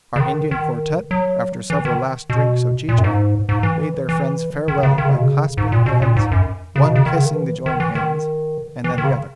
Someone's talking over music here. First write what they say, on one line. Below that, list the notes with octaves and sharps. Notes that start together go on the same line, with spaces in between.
Our Indian quartet, after several last drinks of chicha, bade their friends farewell by clasping hands, one kissing the joined hands, and then the other.
C#3
D#3
D#3
F#3
E3
D#3
B2
A#2
F#2
G#2
G#2
E3
E3
D#3
C#3
D#3
C#3
B2
C#3
G#2
A#2
B2
A#2
G#2
F#2
C#3
B2
C#3
D#3
C#3
D#3
E3
D#3
E3
D#3
E3
D#3
C#3